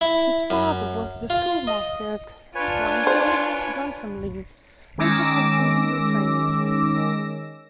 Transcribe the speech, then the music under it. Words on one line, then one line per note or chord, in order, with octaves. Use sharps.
His father was the schoolmaster at Limekilns, Dunfermline, and he had some legal training.
E4
F#2
F4
D#5
D4 F4 B4 C#5 G#5
C5
D#3 G#3 C#4 D6 E6 A#6